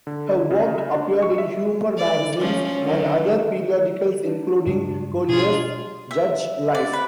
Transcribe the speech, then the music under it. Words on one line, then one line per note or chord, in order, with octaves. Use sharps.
Her work appeared in humor magazines and other periodicals, including "Collier's", "Judge", "Life".
D3
C#3
D4
C#6
E5
D5
F3 C#4
D3 D#3 F#3
D4
G2 C#3 G#3
B2 D4 F4 G#4
E5
D5
B4